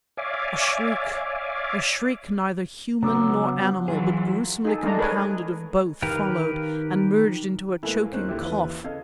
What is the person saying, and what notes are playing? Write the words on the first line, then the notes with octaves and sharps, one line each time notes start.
A shriek--a shriek neither human nor animal, but gruesomely compounded of both--followed... and merged into a choking cough.
C#5 D5 E5 F5 G#5 D6
C#3 F#3 B3 D4 A#5 D6 E6
F#5
E3 F#3 F4 G#4
D#4 G#4 A4
G#3 A3 D4 A#5
G#4 A#4 B4 C#5 D#5 G#5
D#3 G4 A#4 B4 F5
A2 G#3 A#3 E4 A4 B4 G#5
D#2 C#4 D#4 C5 F#6
A#2 D3 E4 G4
E3 E4 F4 B4
C#3 A4 D#5 F5 G#6